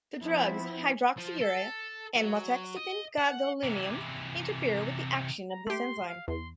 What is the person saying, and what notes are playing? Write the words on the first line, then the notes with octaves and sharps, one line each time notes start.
The drugs hydroxyurea and Motexafin gadolinium interfere with the action of this enzyme.
F3 B3 C4 E4
F3
A4
F#3
D#5
F#5
C3 E3
A#5
A3 G4 C6
F5
E2 C6